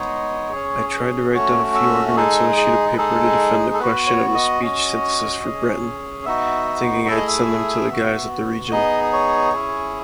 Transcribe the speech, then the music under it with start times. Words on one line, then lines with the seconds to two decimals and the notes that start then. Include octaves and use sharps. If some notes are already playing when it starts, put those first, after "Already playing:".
I tried to write down a few arguments on a sheet of paper to defend the question of the speech synthesis for Breton, thinking I’d send them to the guys at the Region.
Already playing: G#3 B3 D#4 G#4 C#5
0.52 C#4 G#4
1.34 A3 C#4 F#4 C#5
1.75 E5
2.16 G#3 D#4 G#4 A4
2.57 G#4
2.93 B4
2.98 G#3 D#4 G#4 A4
3.74 A4
3.80 B3 F#4 B4
4.07 C#5
4.35 D#5
4.62 C#4 F#4
5.43 C#4 G#4
6.25 B3 D#4 F#4 E5
7.07 A3 E4 G#4 E5
7.17 D#5
7.28 E5
7.90 B3 F#4
8.71 B3 D#4 G#4 D#5
9.13 C#5
9.53 C#4 E4 G#4